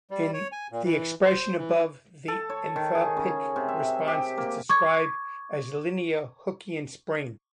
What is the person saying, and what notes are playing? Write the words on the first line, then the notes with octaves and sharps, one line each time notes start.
In the expression above, the enthalpic response is described as a linear Hookian spring.
G3
C#5
G#5
A#2
E3
C5
E3
A4
C#5
D#3
G#4
C#3
C3
E5
G4
A#3
C#6 D6 G#6